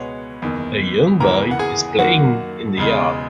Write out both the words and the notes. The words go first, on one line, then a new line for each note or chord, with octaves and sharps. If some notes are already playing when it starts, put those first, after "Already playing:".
A young boy is playing in the yard.
Already playing: C#2 B2 G#3 B3 C#5
F#1 E2 D#3
D#2 C#3 E3 B3 A#4 A#5
F#5
G#4 G#5
F#2 D#3 A#3 F#4 F#5
E1 E2 C#3 G#3